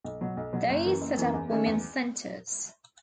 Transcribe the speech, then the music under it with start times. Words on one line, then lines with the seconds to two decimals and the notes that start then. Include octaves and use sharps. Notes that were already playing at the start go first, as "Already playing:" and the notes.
They set up women's centres.
0.04 B1
0.21 B2 F#3
0.37 B1
0.53 B2 F#3
0.69 F#1
0.86 F#2 E3 A#3
1.01 F#1
1.17 F#2 E3 A#3
1.34 E2
1.50 D#3 G#3 C#4
1.66 E2